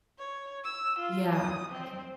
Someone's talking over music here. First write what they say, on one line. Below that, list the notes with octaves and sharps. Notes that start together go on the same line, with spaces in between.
Yeah. Okay.
C#5
E6
F4
D#6
C4